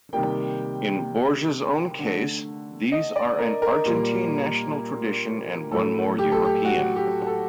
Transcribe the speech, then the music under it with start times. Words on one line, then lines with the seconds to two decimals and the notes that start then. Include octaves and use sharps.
In Borges's own case, these are an Argentine national tradition and one more European.
0.13 C3 D#3 G3 A#3 G5
1.99 D3 A3
2.92 D#5
3.16 D5
3.39 A#4
3.62 A#4
3.85 A#2 G3 A#3
5.71 A2 F#3 A3 A4
6.18 G4
6.32 A4
6.45 G4
6.65 F#4
6.96 G4
7.27 A4